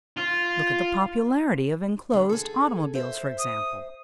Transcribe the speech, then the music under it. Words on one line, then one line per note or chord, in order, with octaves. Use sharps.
Look at the popularity of inclosed automobiles, for example.
F4
D3 G#3 B3
G#4 A4
C5 E5
D#6